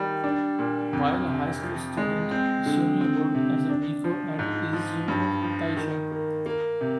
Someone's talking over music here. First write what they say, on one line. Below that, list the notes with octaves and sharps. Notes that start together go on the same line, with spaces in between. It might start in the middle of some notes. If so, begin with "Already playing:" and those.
While a high school student, Esumi worked as a miko at Izumo-taisha.
Already playing: D#3 G3
D4
A#2
F2
C3
F3
G#3
C4
D3
C4
C3
D4
F3
G#2
F3
G2
F3
D#3
A#3
A#3
C3